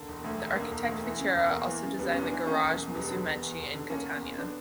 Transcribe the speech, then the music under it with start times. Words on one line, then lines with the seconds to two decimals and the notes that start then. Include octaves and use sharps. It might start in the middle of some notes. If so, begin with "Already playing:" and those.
The architect Fichera also designed the Garage Musumeci in Catania.
Already playing: D3 A#3
0.08 E1
0.24 D2
0.40 E1
0.55 D3 A#3
0.71 E1
0.88 D2
1.04 E3
1.19 C#3
1.35 E1
1.51 E2 A#3
1.67 E3
1.83 C#3
1.99 E1 G3 B3
2.13 E2 C#4
2.23 B3 D4
2.31 E3
2.47 C#3 A#3 C#4
2.63 E1
2.78 E2
2.94 E1 G3 B3
3.10 D3
3.27 E1
3.42 E2
3.59 E1
3.74 D3
3.90 E1 A#3 C#4
4.06 E2
4.22 E1
4.38 D3 B3 D4